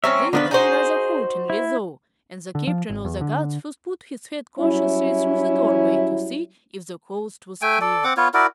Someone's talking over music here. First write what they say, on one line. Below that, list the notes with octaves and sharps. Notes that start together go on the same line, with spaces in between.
They came rather haltingly, though, and the Captain of the Guards first put his head cautiously through the doorway to see if the coast was clear.
F#3 C4 C#4 E5
D3 D#3 F3 B3 D4 B4
D#4 F#4 G#4 C5
E4
D3
F3
G#1
E2
D3
F#3 G3 C#4 E4
A3 G5 G#5
A4 D5
C4 F#5 D6
B3 F4 C#5
E4 F#4 A#4 D5